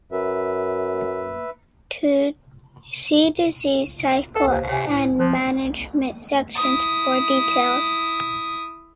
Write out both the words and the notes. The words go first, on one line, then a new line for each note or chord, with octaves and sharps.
See disease cycle and management sections for details.
F#2 B4 E5
A4 B4 F#5
D#2 C5 F5
C3 C#5 G#5
A2
F3 C5
E4 D#6